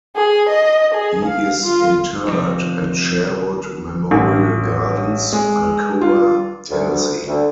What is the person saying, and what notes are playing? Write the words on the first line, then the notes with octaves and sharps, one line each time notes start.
He is interred at Sherwood Memorial Gardens, Alcoa, Tennessee.
G#4
D#5
G#4
F5
F4
F2 C3
A1
G#3
F4
D2
D2